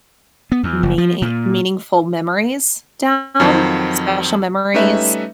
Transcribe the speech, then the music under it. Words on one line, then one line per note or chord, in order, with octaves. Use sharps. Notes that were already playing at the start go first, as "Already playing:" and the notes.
meaning meaningful memories down? Special memories.
B3
E2
F#1
F3
A#2
F2 D#3 F3 F#3 C4 D#4
G3 A3 C#4 D#4 B4 E5